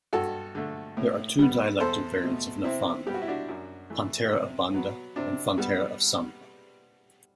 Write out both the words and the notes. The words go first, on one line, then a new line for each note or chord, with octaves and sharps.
There are two dialectal variants of Nafaanra: Pantera of Banda, and Fantera of Sampa.
G2 F#4 A4
D3 A3
A2
G3 B3
E2 A4 C5
B2 A3
C3 C4 E4
G3 B3 G4
F#4
E4
D4 F#4
F#2
E3 A3
C3
F#3 B3
C3 D4
G3 B3